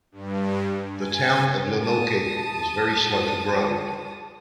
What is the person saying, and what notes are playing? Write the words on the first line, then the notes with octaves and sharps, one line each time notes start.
The town of Lonoke was very slow to grow.
G2
G#5
A5 D#6